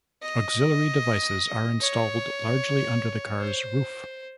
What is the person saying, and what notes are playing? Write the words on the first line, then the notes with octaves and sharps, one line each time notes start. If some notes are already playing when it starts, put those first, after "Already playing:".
Auxiliary devices are installed largely under the car's roof.
D#5
C#5
C5